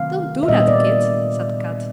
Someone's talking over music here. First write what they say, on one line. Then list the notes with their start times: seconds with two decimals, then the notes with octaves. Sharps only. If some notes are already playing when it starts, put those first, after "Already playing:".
"Don't do that, Kit," said Kat.
Already playing: C3 D#3 F#3 A3 C4 F5
0.43 E5
0.48 A#2 G3 B3 D4 D#5
0.60 D#5
0.68 D5